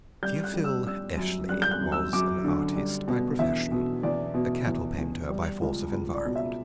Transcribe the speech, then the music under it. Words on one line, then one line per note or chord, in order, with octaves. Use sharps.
Theophil Eshley was an artist by profession, a cattle painter by force of environment.
G3 G6
F#6
G3
E6
G3 E6
F#2
G3 F#6
G6
F#6
F#2
E6
F#2 D6
D3
G3
B2
E2 E5
B2
E2 D5
B2
E2
E2
G3
C#2
C#2
D5
B2
E5